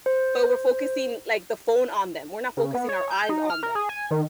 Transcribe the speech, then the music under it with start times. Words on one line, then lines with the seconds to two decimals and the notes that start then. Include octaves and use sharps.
but we're focusing, like, the phone on them, we're not focusing our eyes on them.
0.06 C5
2.57 C#3
2.74 B3
2.89 C#5
3.11 G6
3.29 D#4
3.50 F6
3.63 A#4
3.75 G#4
3.89 G#5
4.11 D#3